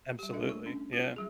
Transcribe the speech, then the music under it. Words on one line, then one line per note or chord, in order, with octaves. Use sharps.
Absolutely. Yeah.
G3 G4
D4 A4 D#5 E5
A3 C#6
C#4 D4
F4
F#3 G3 G#4